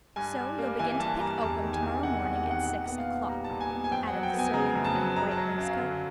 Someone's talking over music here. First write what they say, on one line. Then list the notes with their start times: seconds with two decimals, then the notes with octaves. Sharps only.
'So you'll begin to pick oakum to-morrow morning at six o'clock,' added the surly one in the white waistcoat.
0.16 G2 G#5
0.37 G3
0.58 A#3
0.79 E3 G#5
1.00 G2 A5
1.20 G3 A#5
1.41 E2 A5
1.62 D#3
1.73 G#5
1.82 E2
2.03 C3 F#5
2.25 E2
2.35 F#5
2.45 D#3
2.51 F#5
2.66 A#2 F#5
2.86 B3 F#5
2.98 F5
3.07 A#2
3.28 G3 A#5
3.44 A5
3.50 A#2
3.61 G#5
3.71 B3
3.84 G#5
3.91 F2 G5
4.07 F#5
4.12 F#3
4.23 G5
4.34 B3
4.39 G#5
4.54 C#3 A#5
4.75 F2
4.84 A5
4.95 F#3
5.16 F#2 A#5
5.31 A5
5.37 F#3
5.58 F#2
5.63 F5
5.79 D3